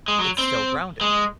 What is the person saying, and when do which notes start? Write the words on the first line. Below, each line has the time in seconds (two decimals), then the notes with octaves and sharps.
it's still grounded.
0.08 G#3
0.19 F#3
0.39 C4
1.01 G#3